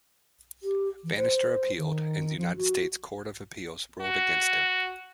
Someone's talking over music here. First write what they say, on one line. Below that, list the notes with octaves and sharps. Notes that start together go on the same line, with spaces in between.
Banister appealed, and the United States Court of Appeals ruled against him.
G4
E3
C5
D#3
F3
F#4
F#4